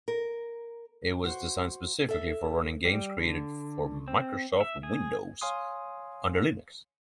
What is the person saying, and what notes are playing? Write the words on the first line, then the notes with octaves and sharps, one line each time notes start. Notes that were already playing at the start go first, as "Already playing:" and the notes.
It was designed specifically for running games created for Microsoft Windows under Linux.
A#4
F#4 C5
A4 E5
G3
D3
C4
E5
G#4
C#5 F5 G#5 C6 D#6